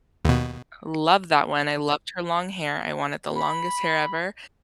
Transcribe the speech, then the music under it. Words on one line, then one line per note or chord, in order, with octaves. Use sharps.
love that one, I loved her long hair, I wanted the longest hair ever,
D#2 B2
B5